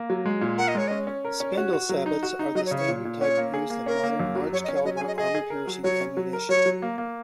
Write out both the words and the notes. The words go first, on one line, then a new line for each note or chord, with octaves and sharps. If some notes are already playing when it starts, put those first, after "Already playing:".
Spindle sabots are the standard type used in modern large caliber armor-piercing ammunition.
Already playing: A#3
F#3
G#3
A#2
A#4 F#5
D#5
G#3 C#5
C#4 D#5
C#4
A#4
C#4
F#4
F#4
F#3
D#4
F#4
D#4
F#3 D#5
C#5
C#3
C#5
A#2
A#2
C#4 C#5
A#3
G#4
A#3
C#4 A#4
A#3
F#2
F#3
F#3 C#5
D#5
C#4
C#5
F#3 D#5
G#5
G#4
D#5
G#4 D#5
G#4
A#4
F#3
F#3 C#5
C#4
F#3
A#4
F#3 C#5
F#3
A#3
A#3